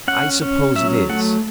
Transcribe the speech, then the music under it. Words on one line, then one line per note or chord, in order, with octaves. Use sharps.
I suppose it is.
C#4 F#5
C#4
F#3 E5
A3 F#5